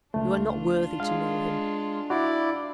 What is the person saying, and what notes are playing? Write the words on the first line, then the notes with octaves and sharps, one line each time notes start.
You are not worthy to know him.
C#2 A3 D4 F4
G#3 F5
E4 F#4 D5